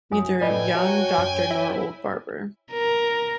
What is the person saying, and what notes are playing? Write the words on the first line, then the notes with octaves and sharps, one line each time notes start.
Neither young doctor nor old barber.
F#2 F4 F#4 G#5 D#6
A2 B4 D5 D#5 G5 G#5 B5
F#4 C#5 E5 A5 A#5
F#2
E4 E5
A#4